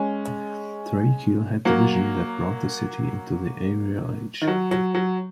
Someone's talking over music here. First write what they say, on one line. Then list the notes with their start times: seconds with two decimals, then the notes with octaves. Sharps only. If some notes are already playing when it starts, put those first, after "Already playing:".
Thrailkill had the vision that brought the city into the aerial age.
Already playing: G#3 C#4
1.65 F#3 A#3
4.42 D#3
4.47 F#3
4.71 F#3
4.94 F#3